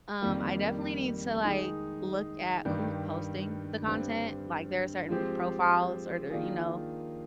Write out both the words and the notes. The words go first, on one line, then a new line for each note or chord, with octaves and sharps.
um, I definitely need to, like, look at who's posting the content, like, there are certain profiles or, there you know
F2 D#3 G3 A#3
D#3 G#3 D#4 G#4
G2 D#3 G3
G2 D3 G3 C4
F3 G#3 C4 G4
D#3 A#3 D4 F4 G#4